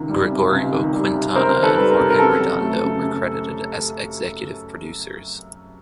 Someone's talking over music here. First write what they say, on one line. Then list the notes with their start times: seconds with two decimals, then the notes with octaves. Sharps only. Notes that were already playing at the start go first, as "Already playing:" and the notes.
Gregorio Quintana and Jorge Redondo were credited as executive producers.
Already playing: C#2 C3 D#3
0.09 G3
0.31 C3
0.52 C#2
0.73 D#3
0.94 G3
1.14 C3
1.35 C#2 A#4 C5
1.56 D#3
1.63 A4 B4
1.77 G3
1.91 A#4
1.99 C3
2.10 A#4
2.19 F#2 A4
2.40 F#3
2.61 A3
2.82 C#3
3.02 F#2